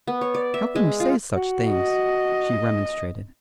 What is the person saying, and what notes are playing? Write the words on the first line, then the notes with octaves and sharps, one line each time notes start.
"How can you say such things!" she remonstrated.
B3
C#5
D5
E5
G#3
F4
F#4
D#5